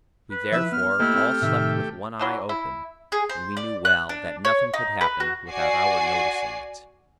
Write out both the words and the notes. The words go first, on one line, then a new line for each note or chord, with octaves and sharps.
We therefore all slept with one eye open, and we knew well that nothing could happen without our noticing it.
B4
F3 E4 E5
B3 F6
A3 A#3 E4 G4 C5 D#5
C4
A2 C3 D#3 E5
D3 E3 F#3
E4
G#4
C5
D5
F#6
D4
C#5
D#4
B4
F#4
F#4 D5 G#5 C7